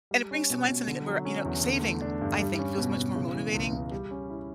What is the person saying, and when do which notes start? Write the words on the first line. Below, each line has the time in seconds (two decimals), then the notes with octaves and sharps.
and it brings to mind something th where, you know, saving, I think, feels much more motivating
0.11 G3
0.31 C#4
0.50 B2
0.69 B2
0.87 D3
1.07 F#3
1.25 C#4
1.45 E2
1.64 D3
1.82 A3
2.02 D4
2.21 G2
2.40 G3
2.59 C#4
2.78 B2
2.97 B2
3.16 C#3
3.35 E3
3.54 C#2
3.73 C#2
3.92 G3
4.11 C#4
4.30 E4